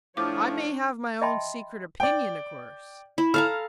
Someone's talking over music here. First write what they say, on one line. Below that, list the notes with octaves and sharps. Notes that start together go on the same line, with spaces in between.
I may have my own secret opinion, of course.
A2 F3 D4 C#5 D6
D#5 E5 G5 A5 B5 C6
D5 G5
E4
A4 F5 A#5 F6